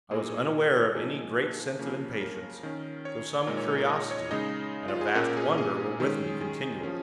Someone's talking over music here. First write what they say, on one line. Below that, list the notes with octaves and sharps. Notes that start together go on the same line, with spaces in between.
I was unaware of any great sense of impatience; though some curiosity and a vast wonder were with me continually.
A#2 A#3 D#4 G#4
F3 A#3 D#4 G#4
C#3 F3 A#3 C#4
A#4
D#3 C#4
C#5
A#2 G#3 D#4 A#4
C#5
G#4
A#4
D#5
C#5
C#3 G#3 D#4 D#5
F4
G#4
A#2 A#3 C#4 A#4
G#4
G#4
D#3 G#3 C#4
G#4
F3 C#4